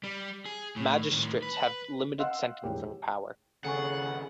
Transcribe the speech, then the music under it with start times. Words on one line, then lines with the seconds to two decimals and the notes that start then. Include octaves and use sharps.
Magistrates have limited sentencing powers.
0.04 G3
0.46 G#4
0.76 A2
1.12 A2 D#3
1.42 B4
2.18 D#5 F5 F#5 C6 E6 F#6
2.63 E1 A2 D#3 G4 G5
3.65 D#2 C#3 G#4 A4 F#5 G#5 C#6